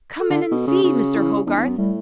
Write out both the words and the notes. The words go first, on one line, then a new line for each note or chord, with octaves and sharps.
Come in and see Mr. Hogarth.
A4
D3
B2
C#3
C#3 F#4
E4
E2 D4
E2
F#2 B3
A2 G3